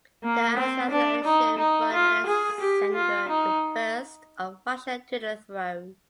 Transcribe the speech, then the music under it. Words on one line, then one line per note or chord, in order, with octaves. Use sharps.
The assassination brought Alexander the First of Russia to the throne.
A#3
C4
D4
D#4
D#4
F4
G#4
G4
F4
D#4